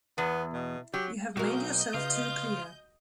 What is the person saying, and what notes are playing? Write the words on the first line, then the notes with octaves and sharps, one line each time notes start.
You have made yourself too clear.
E2 B3
B2
F#3 G4
B1 F#4 A#4 D#5 G6
C#3 F4 B4